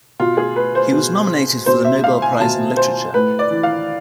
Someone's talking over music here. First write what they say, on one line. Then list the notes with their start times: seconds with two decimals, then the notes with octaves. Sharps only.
He was nominated for the Nobel Prize in Literature.
0.20 B2 F4
0.37 G#4
0.56 B4
0.75 C5
0.92 B2
1.66 B2 C5
1.85 E5
2.04 F5
2.22 G#5
2.40 B2 A5
2.77 C5
3.14 A2 B4
3.39 D5
3.51 E3
3.63 F5